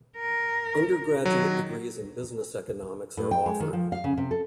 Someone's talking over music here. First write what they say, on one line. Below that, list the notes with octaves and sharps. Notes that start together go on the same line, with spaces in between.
Undergraduate degrees in business economics are offered.
A#4
D#3 F#3
A2
G5
G#3
D#3
F3
F5
C#3
C3
A4